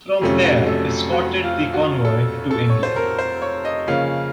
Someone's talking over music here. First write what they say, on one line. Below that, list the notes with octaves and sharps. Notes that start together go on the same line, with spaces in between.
From there escorted the convoy to England.
F2 C3 F#3 A3 C#4
F#4
A4
F#4
F4
F#4
A4
A4
C#5
C5
A#4
C5
C#5
D#5
C#3 F3 A#3 C#4 F5